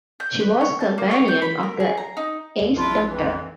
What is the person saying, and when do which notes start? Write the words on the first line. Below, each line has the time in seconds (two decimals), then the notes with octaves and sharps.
She was a companion of the Eighth Doctor.
0.20 G6
0.40 B4
0.61 C#5
0.80 A5
0.98 A#3
1.11 C#5
1.28 G6
1.42 B5
1.63 A#4
1.80 G#4
1.97 A#5
2.17 D#4
2.61 D#2
2.77 A#1 D4 E4 F4
3.07 F2 E3